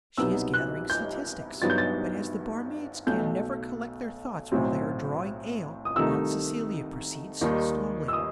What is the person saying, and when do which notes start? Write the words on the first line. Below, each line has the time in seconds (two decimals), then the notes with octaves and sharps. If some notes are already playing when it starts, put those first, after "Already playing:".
She is gathering statistics, but as the barmaids can never collect their thoughts while they are drawing ale, Aunt Celia proceeds slowly.
0.17 C2 B2 F#3 B3 D#4 E6
0.54 F#6
0.90 G6
1.62 G2 F#3 B3 D#4 A6
1.70 G6
1.78 A6
3.07 B1 B2 A3 G6
4.52 B1 A2 F#3 C4
5.85 D#6
5.96 C2 C3 D#3 A3 D#4 E6
7.41 D#2 D#3 G3 D#4
8.08 E6
8.13 D#6